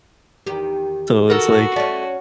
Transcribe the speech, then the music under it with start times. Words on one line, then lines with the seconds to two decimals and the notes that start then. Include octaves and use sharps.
So it's like
0.46 E2 D#3 G4
1.30 F#4 A4 A#4
1.76 A3 C#4 D5